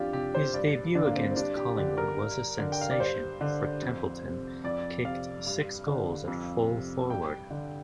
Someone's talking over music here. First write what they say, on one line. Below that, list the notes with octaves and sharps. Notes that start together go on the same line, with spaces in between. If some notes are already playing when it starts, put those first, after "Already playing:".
His debut against Collingwood was a sensation, for Templeton kicked six goals at full-forward.
Already playing: F2 D4 F4 G4
C3 G4
C5
G2 D5
D3 D4
A#3
C4
C4
G2 D4
G4
D3 G4
A#4
G2
D3
G5
F5
D5
G2 C5
D3
F2
C3
F2 D5
C3 F5
G2
D3
F2
C3
G2 G5
D3